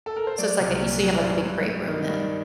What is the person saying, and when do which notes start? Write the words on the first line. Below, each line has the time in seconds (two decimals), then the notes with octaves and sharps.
So, it's like, a so, you have, like, a big great room then.
0.06 A4
0.16 A#4
0.27 C5
0.38 F#3 D5
0.60 C2
0.81 A#2
1.03 F#3
1.18 D5
1.23 G2 C5
1.45 G2
1.67 G2
1.88 D#3
2.09 G2